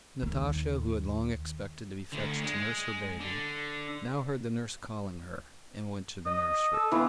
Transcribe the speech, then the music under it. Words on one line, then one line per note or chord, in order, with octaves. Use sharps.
Natasha, who had long expected to be fetched to nurse her baby, now heard the nurse calling her and went to the nursery.
D#2
D2 D3
G#3
D3
D#5
A4
E3 B3 F4